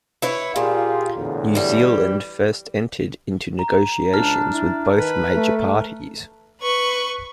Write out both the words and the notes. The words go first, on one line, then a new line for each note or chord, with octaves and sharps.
New Zealand First entered into negotiations with both major parties.
E4 B4 C#5
A#2 F4 G4 G#4
E2 A2 D3
E3 G3
A#5
C#2 D4 A5 F6
E4
D#3 B4
A3
B4 C#6